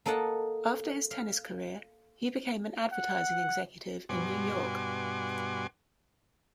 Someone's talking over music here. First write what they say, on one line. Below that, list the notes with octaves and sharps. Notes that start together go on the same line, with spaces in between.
After his tennis career he became an advertising executive in New York.
A#3 A4 D#5 F#5 A5
F5
F#5
G2 B2 F#4 G#5 C6 D6